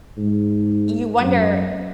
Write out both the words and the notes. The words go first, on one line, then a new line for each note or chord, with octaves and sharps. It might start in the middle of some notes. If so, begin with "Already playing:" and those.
you wonder
G#2
F#2